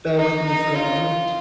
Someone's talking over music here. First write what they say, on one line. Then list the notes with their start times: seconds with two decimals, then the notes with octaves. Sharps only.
Bear with me for a moment.
0.17 D#4
0.46 D#4
0.75 F4